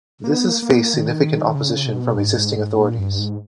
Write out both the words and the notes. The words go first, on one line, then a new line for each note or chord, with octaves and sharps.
This has faced significant opposition from existing authorities.
A#3
B3
A#3
A#3
B3
A#3
D#3
E3
D#3
D#3
C#3
C#3
B2
G#2
G#2
G#2
A#2
G2
G#2